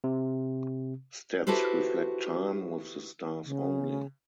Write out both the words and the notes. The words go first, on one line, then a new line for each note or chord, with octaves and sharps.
Stats reflect time with the Stars only.
C3
E4 F#4 G4 A4 B4 C5
C#3